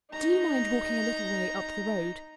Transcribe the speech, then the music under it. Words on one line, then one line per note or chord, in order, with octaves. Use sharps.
Do you mind walking a little way up the road?
D#4 A#5